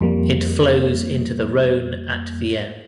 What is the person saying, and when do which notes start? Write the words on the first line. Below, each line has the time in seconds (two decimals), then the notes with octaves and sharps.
It flows into the Rhone at Vienne.
0.01 F2 G3 A#3